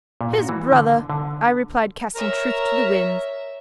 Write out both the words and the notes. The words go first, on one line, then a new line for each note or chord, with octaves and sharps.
'His brother,' I replied, casting truth to the winds.
A#2
F#4
E3
D3
D3
A#4 C#5 E5